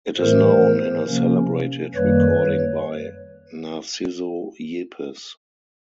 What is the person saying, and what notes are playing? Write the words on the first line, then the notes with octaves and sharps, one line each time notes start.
It is known in a celebrated recording by Narciso Yepes.
A2 E3 A3 A#4 C5
C3 F3 A#3 C#4
F#2 D#3 G3 A#3 B4 C#5